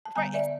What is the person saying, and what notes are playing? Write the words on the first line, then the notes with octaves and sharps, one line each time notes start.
Right. It's
A5
D3 G3 B3 G#5 A#5
D5 E5